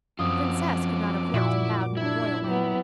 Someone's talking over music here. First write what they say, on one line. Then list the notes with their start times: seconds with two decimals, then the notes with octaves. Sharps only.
A princess could not have looked and bowed more royally.
0.19 F#2 F3 C4 C#4 F4 D6 D#6
1.34 A#2 A#3 E4 F#4
1.97 D4 E4 G#6
2.44 F#3 B3 G4